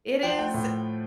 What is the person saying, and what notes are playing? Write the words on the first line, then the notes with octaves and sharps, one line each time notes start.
It is
F3 G5
F#5
A3 G5
A2